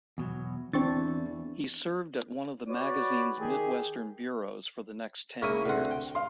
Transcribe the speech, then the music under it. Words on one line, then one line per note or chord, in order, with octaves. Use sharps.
He served at one of the magazine's midwestern bureaus for the next ten years.
E2 B2 F#3
E2 E3 C4 D4 C#6 A6
F#4 B4 C#5 D5
D#3 G4 G#4
C#3 A#3 E4 C#6 D#7
D2 C3 F#5 C6
G5
F5 C6